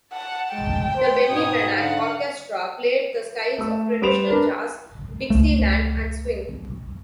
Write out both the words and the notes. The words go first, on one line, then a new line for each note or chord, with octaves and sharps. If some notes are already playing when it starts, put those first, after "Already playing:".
The Benny Benack Orchestra played the styles of traditional jazz, dixieland, and swing.
F#5 A5
G#3 G5
C5
G#2 B2 D#6 G#6
D3 F5 F#5
A3 E6
G3 B4 C5 D7 E7 F7
D4 A#4 B4
C#2 A3